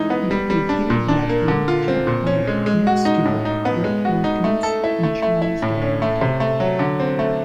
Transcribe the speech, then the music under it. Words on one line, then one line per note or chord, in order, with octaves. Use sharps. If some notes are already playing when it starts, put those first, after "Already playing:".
He played Peter Bradford, Jeff Clark, Ned Stuart, Dirk Wilkins, and Charles Delaware Tate.
Already playing: E3 G#3 D#4
B3
G3
G3
D4
A#2
D4
A#3
D3
F4
C4
A#2
C#4
G#3
G#3
F#4
D#4
A2
D#4
B3
G#3
F#4
D#4
A3
A4
E4
A3
A3
E4
A2
C#4
A3
C3
A3
F#3
D3
C4
A3